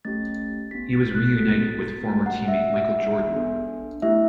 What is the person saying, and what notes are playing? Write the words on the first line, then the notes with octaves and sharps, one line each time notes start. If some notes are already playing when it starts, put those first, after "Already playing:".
He was reunited with former teammate Michael Jordan.
A3 C#4 G4 A6
B3 D4 G4 B6
A6
F#6
B3 F#4 A4 B6
A6
A6
A3 D4 F#4
F#5
E5
D4 G4
B3 D4 A4
A3 E4 G4 E5